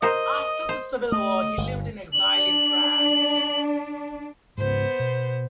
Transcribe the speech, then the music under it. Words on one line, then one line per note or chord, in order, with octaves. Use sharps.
After the civil war he lived in exile in France.
F#4 A#4 C5 D#5
C5
A3 D#5
G1
D4 F#7
G#2 C#3 B3 C5
B2